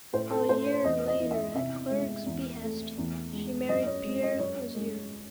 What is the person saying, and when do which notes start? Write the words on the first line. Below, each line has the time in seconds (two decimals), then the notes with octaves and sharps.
A year later, at Clergue's behest, she married Pierre Lizier.
0.13 A2 C5
0.31 A4
0.49 A3 C5
0.66 C#5
0.84 E2 D#5
1.07 D#5
1.20 E3
1.31 E5
1.55 C3 E5
1.90 G#3
2.26 E2
2.62 A3
2.98 E2
3.33 G#3
3.69 F#2 D#5
3.86 C#5
4.04 G#3
4.22 D#5
4.40 F#2 C#5
4.75 G#3